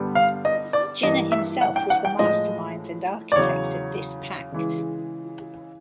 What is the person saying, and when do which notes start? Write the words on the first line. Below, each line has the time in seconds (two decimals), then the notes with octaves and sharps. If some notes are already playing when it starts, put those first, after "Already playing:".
Jinnah himself was the mastermind and architect of this pact.
Already playing: G2 D3 G3 B3
0.15 F5
0.45 D#5
0.73 D5
1.03 G2 E3 G3 A#3 D#5
1.32 E5
1.61 F#5
1.76 G5
1.90 F#5
2.05 G5
2.19 A2 F3 G#3 D#5
3.32 D5
3.36 E2 C#3 F#3 C#5
4.52 C#3 E3 G#3